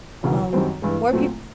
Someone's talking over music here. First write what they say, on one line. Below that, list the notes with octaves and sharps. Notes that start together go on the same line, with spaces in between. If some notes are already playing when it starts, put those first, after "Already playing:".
um, more peop
E1 D2 C#3 E3
F#2 D#3 G3 C4
G2 E3 G#3
A#2 F#3 A3 C4